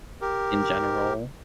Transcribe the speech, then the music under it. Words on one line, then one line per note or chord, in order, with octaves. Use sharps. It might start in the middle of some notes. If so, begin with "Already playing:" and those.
in general.
G4 A#4